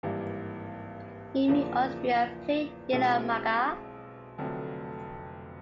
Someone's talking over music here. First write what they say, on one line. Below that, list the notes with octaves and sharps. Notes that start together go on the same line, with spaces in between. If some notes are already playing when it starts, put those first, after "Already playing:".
Amy Austria played Delia Maga.
G#1 G2 E3 G3 A#3
E2 C#3 F3 A#3 D4
B1 B2 G#3 C4 E4
F1 F2 D3 F#3 A3